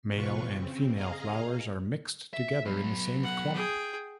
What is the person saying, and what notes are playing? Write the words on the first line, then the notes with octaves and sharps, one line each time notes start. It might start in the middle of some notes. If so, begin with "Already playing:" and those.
Male and female flowers are mixed together in the same clump.
E2 B2 F4 B4 C#6
C#3 C4
G#4 D#5 F5 A#5
E5
F#3 B3
F#5
G#4 G5